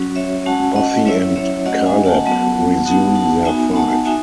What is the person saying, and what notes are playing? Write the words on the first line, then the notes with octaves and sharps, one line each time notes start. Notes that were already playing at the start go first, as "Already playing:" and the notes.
Buffy and Caleb resume their fight.
Already playing: F#3 C#4 F#4
C#5 E5
G#3 C#4 F#4 F#5 A5
D#5 F#5
F#3 C#4 E4 C#5 E5
C#5 E5
A3 C#4 F#4 D#5 F#5
E5 G#5
F#5 A5
F#3 B3 F#4 F#5 A5
B3 D#4 F#4 F#5 A5
F#5 A5
B3 D#4 F#4 E5 G#5
F#5 A5
D#4 F#4 E5 G#5